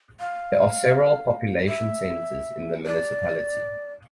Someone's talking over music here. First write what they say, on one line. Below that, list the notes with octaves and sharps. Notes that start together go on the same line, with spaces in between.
There are several population centers in the municipality.
F5
E5
D5